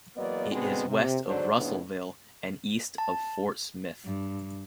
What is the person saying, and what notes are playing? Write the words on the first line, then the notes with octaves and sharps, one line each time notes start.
It is west of Russellville and east of Fort Smith.
E2 F#3 A#3 B3 D5 D#5
B2 D3 G#3 B3 C4
C3
G#2 D3 F#3 D4 C5 D5
F2 A2 C#3 B3 D4
A5
G2